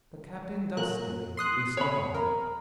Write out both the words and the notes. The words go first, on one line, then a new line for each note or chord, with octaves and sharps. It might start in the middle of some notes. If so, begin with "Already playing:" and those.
The Captain does stay, listening on.
A#2 A#4 F#6
C6 D#6 F#6
C#5 B5
A#4